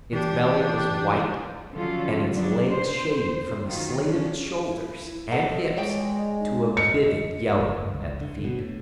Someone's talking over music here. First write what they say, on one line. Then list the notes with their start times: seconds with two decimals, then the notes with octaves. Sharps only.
Its belly was white, and its legs shaded from the slate of its shoulders and hips to a vivid yellow at the feet.
0.13 E3 D4 G4
1.73 D3 F3 F#3 C#4 F4 A4
2.32 F#3 B3 D4
2.69 C5
3.64 D#3 F#3 F4
4.05 C#4 D4
4.65 E4
5.31 A4 D#5 F#5
5.77 G#3 C#5 D5 G5
6.40 D#4
6.77 D#5 C#7
7.61 F#1
7.75 G1
7.94 C#2
8.21 D3
8.44 B2
8.60 A2